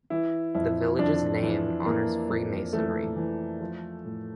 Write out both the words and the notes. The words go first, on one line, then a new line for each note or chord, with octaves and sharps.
The village's name honors Freemasonry.
E3 E4
F2 E4
F2 D4
E3
E3 A#3
F2
E3 A3
E3
F3
A2